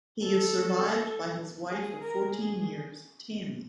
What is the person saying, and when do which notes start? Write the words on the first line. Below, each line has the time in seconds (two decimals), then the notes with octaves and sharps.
He is survived by his wife of fourteen years, Tammy.
0.23 A4
1.72 G#4
2.02 A#4
2.31 G#4